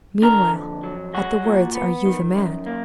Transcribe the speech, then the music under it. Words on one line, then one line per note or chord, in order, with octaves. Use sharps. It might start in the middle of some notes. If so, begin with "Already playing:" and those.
Meanwhile, at the words, Are you the man?
D3 A#4
F2
F#3
G#3 F#4
A#2
B3
D#3
F#2
A#3